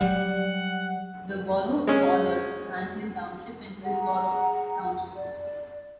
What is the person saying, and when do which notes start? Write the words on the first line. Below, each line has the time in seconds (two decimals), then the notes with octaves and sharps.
The borough borders Franklin Township and Hillsborough Township.
0.01 F#3 G3 F#5
1.87 G#3 C#4
3.84 G#4 F#5 A#5
5.15 D5